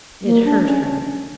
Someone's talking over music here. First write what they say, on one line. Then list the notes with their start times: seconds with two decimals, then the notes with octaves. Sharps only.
It hurt her.
0.25 A#3
0.45 D4
0.65 C#4